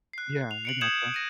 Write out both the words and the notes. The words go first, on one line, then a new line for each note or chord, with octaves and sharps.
Yeah, I gotcha.
F#6 C7
F7
C#7 D7 F#7
D#6 G6 G#6 C#7 E7 F#7
A#6 D#7